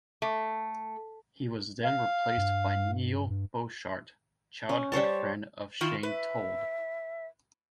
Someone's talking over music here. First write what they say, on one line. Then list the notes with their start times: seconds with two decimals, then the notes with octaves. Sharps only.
He was then replaced by Neil Boshart, childhood friend of Shane Told.
0.22 A3
1.84 F5
2.38 G2
3.30 G2
4.69 C#4
4.92 G3 C5 C#5 A5
5.81 D#3 E4 F4
6.03 B4 E5